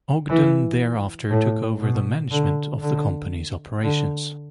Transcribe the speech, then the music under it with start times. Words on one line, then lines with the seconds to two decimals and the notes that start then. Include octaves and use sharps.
Ogden thereafter took over the management of the company's operations.
0.29 E3
1.30 A2
1.81 B2
2.31 D3
2.82 D3
3.83 D3